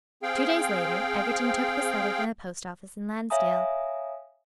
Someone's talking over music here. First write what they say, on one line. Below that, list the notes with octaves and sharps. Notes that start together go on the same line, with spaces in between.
Two days later, Egerton took this letter from the post-office in Lansdale.
C4 G#4 F5 G5
C#5 E5 F5 G#5 A#5 D#6